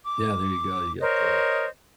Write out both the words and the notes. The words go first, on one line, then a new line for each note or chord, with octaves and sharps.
Yeah, there you go. You got the,
D6
A#4 C5 C#5 D#5